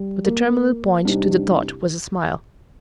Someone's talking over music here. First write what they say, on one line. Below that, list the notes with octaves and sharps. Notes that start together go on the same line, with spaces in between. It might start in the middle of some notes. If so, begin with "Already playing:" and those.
But the terminal point to the thought was a smile.
Already playing: G3
A#3
C2 C3 G3 C4 D4 D#4
D4